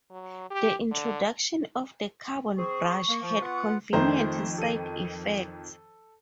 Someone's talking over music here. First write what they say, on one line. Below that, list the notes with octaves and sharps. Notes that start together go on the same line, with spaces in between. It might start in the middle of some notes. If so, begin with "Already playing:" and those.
The introduction of the carbon brush had convenient side effects.
F#3
G4
D3
C4 G#4 C5 C#6
A#3
F3
B3 F4 F#5
F2 D#3 A3 C5 A#5
A4 D#7